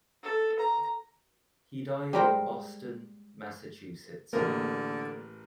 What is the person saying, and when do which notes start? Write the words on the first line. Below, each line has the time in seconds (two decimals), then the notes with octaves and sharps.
He died in Boston, Massachusetts.
0.23 A4
0.59 A#5
2.13 G3 G#3 G4 A#4 C5 G5
4.33 A1 D3 A#3 G#4 A#4